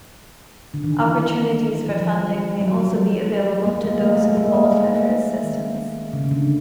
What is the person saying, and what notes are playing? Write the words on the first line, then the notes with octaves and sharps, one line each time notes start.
Opportunities for funding may also be available to those who qualify for assistance.
D3
D#3
E3
F3
F#3
G3
A3
G#3 A#3
G#3 A#3
A3
A3
G#3 A#3
A3
A3
A#3
A3
D#3
C#3
D3